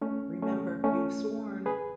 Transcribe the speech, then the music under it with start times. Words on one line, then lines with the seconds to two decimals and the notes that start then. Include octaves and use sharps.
Remember, you've sworn!
0.01 A3 C#4
0.42 A3 C#4
0.84 A3 C#4
1.66 G#4 B4